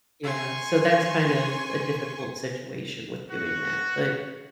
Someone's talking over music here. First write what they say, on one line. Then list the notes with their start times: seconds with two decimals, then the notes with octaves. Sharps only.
Yeah. So, that's kind of a difficult situation with doing that. But,
0.24 G#5 C6 C#6
3.30 F#4